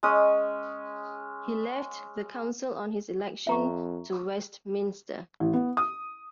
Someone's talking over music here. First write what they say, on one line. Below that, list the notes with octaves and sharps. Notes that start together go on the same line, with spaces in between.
He left the council on his election to Westminster.
G#3 C#4 D#6
F2 E5 A#5 C#6
A1
B3
D#6